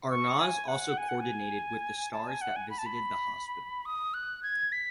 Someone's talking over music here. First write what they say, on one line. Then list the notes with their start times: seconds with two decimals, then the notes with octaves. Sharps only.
Arnaz also coordinated with the stars that visited the hospital.
0.10 C#6
0.39 G#5
0.68 F#5
0.98 G#5
1.09 F#5
1.20 G#5
2.12 A5
2.27 G#5
2.41 F#5
2.56 G#5
2.70 B5
2.78 A5
2.86 B5
3.85 D#6
4.14 F#6
4.43 G#6
4.72 B6